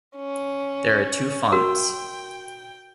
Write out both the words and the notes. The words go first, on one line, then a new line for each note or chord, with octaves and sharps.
There are two fonts.
C#4
F#4 A#4 G5